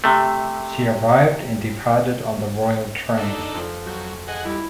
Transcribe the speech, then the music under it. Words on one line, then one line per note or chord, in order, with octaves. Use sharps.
She arrived and departed on the Royal Train.
C3 A3
D4 D#4 A4
F2
F#3 G6
G#4 D#5 F#5
G3 E4